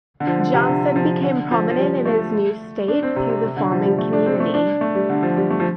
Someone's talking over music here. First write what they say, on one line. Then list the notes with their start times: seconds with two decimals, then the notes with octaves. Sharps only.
Johnson became prominent in his new state through the farming community.
0.20 D3
0.27 F3
0.40 D3
0.54 C3
0.67 D3
0.96 F3
1.23 D3
1.51 F3
1.70 F3
1.78 G3
2.05 A3
2.88 D4
3.03 C4
3.16 C3
3.29 C3
3.43 C3
3.57 D3
3.72 F3
3.85 G3
3.98 A3
4.13 D4
4.26 C4
4.40 A3
4.54 D4
4.81 A3
4.95 G3
5.10 D3
5.23 F3
5.37 G3
5.50 A3
5.60 F3